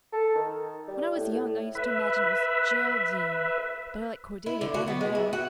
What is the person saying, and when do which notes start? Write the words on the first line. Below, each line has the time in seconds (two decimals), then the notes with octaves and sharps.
When I was young I used to imagine it was Geraldine, but I like Cordelia better now.
0.12 A4
0.35 D#3
0.88 G3
1.16 A2
1.32 A2
1.75 B4 E5
4.46 E4
4.61 D3
4.74 F#4
4.88 B3
5.01 G#3
5.15 E4
5.33 F#4